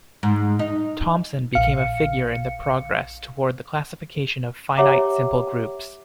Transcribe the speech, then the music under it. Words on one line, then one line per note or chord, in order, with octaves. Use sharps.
Thompson became a figure in the progress toward the classification of finite simple groups.
G#2
D#4
A#1 F5 C#7
G4 C#5 E5 F#5 A#5 D6